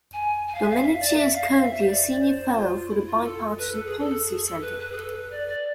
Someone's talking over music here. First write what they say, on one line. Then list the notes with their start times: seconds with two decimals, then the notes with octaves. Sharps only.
Domenici is currently a senior fellow for the Bipartisan Policy Center.
0.13 G#5
0.47 G#5
0.55 F5
0.62 E5
0.70 F5
0.83 E5
1.00 D5
1.16 E5
1.34 F5
1.51 E5
1.58 F5
1.65 E5
1.81 C5
1.86 D5
2.20 C5
2.55 F4
2.89 E4
3.06 F4
3.23 A4
3.58 B4
3.72 A4
3.86 G#4
3.99 A4
4.27 G#4
4.45 A4
4.61 B4
4.79 B4
4.92 G#4
4.97 A4
5.14 B4
5.31 D5
5.48 D5